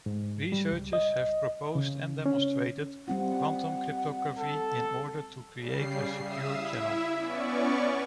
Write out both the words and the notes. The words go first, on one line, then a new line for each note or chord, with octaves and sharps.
Researchers have proposed and demonstrated quantum cryptography in order to create a secure channel.
G#2
G3
C#2
D#5
C#3
C#4
G3 C4 F4 F#5
A4
C#3 G3 C7
E5 F5 D#6 E6
E4 E5
B3 C#4 D5 C#6